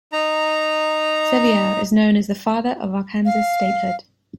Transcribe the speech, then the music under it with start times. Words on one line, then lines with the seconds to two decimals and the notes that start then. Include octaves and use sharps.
Sevier is known as the "Father of Arkansas Statehood".
0.13 D#4 A#5
3.25 F5